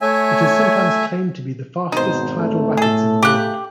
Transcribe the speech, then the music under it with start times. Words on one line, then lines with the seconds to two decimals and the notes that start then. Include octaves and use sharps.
It is sometimes claimed to be the fastest tidal rapids in the world.
0.01 A3 C#5 E5 G#5
1.92 G#1 B2 D#4 C5
2.36 A3
2.77 A2 G#4 A4
3.23 C#3 G4 F#6